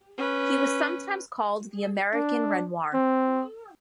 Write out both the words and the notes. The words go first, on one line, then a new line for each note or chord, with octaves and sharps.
He was sometimes called "the American Renoir".
C#4 B4
D4
C4